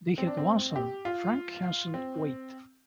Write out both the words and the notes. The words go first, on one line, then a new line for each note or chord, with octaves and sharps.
They had one son, Frank Hanson Waite.
C4
D4
C4
G4
F4
C4